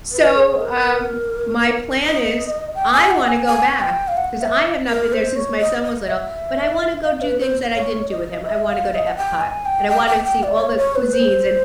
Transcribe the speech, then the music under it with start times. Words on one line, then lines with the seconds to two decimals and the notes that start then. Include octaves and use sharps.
So, um, my plan is I wanna go back, 'cause I have not been there since my son was little, but I wanna go do things that I didn't do with him. I wanna go to Epcot, and I want to see all the cuisines in
0.12 B4
0.36 G#4
0.61 A#4
2.03 D#5
2.75 G5
2.92 G#5
3.11 F#5
3.28 G#5
3.47 G#5
3.81 G5
4.08 F5
4.17 F#5
4.42 E5
4.90 A#4
5.13 C5
5.36 C#5
5.61 D#5
5.84 D#5
6.09 E5
7.04 F5
7.21 B4
7.40 C5
7.74 C#5
8.11 D#5
8.46 E5
8.70 F5
8.94 D#5
9.07 F#5
9.17 G5
9.41 G#5
9.65 G5
9.89 G5
10.07 G5
10.24 G5
10.43 D5
10.60 C#5
10.78 C#5
10.96 B4
11.13 C5